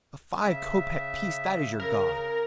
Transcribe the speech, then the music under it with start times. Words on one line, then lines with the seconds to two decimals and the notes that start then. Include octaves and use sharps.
A five-kopek piece--that is your God!
0.43 C#3 E5
1.80 C#3 A#4